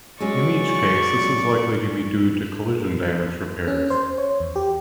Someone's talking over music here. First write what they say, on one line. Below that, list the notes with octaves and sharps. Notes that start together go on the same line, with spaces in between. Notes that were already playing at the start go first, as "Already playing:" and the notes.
In each case, this is likely to be due to collision damage repairs.
F#3 G#3 C#4 D5 C#6
C#4
C5
C#5
E2
G4